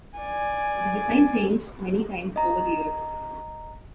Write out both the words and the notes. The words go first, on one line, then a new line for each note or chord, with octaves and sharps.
The design changed many times over the years.
D5 G#5
D#5 A#5